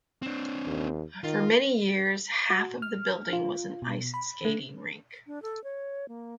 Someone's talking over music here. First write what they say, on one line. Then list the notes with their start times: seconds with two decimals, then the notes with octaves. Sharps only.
For many years, half of the building was an ice skating rink.
0.22 C4 D4
0.67 D#2
1.24 D#3 F4
2.50 F#4
2.82 F6
3.33 F4
3.82 B2
4.14 B5
4.45 A3
5.27 D4
5.42 A4
5.64 C#5
6.08 A#3